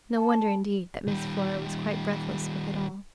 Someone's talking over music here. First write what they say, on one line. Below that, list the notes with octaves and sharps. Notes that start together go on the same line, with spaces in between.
No wonder, indeed, that Miss Flora was quite breathless with it all.
A5
D#3 G3